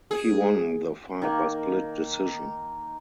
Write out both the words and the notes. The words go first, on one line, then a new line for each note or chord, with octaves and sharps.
He won the fight by split decision.
G#4
D#3 A#3